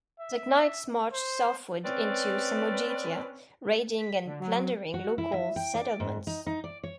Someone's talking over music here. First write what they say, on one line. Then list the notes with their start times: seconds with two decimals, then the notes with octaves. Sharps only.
The knights marched southward into Samogitia, raiding and plundering local settlements.
0.20 E5
1.13 C5
1.85 C4 C#4 B4 D5
3.98 B6
4.25 D3
4.39 F#3
4.94 F#4
5.18 E4
5.34 E5
5.56 G5
5.75 D5
6.00 G#2
6.27 D#4
6.46 D#4
6.64 D5
6.83 C#5